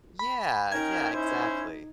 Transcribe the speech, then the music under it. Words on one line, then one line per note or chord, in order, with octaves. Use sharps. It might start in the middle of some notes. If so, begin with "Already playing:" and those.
Yeah yeah, exactly,
B5
C#4 D#4 A#4 G5 G#6
C#4 E4 C5